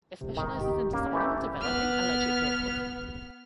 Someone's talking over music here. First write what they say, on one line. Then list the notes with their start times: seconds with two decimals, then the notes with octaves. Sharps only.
It specializes in designing and developing electric vehicles.
0.21 C3
0.37 G#2 D#3
0.61 G4
0.93 A#3 C#4
1.13 E3 A3 G4
1.61 B3 F6